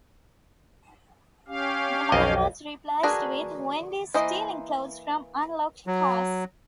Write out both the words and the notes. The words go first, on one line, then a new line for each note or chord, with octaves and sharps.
The line was replaced with: "Wendy's stealing clothes from unlocked cars".
C#4 G4 F5
B1 F2 D#5
D4 F#4 G#4 A#4 B4
E3 A#3 C5 D#5
F#3